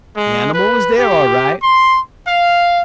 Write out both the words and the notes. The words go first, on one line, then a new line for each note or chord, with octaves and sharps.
The animal was there all right.
G#3
B4
G4
C6
F5